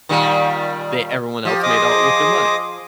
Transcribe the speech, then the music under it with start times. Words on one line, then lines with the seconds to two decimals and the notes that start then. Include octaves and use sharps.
They everyone else made out with their money.
0.09 A#2 D#3 G3
1.45 F3 G4
1.63 G#4 C5 D#5 D6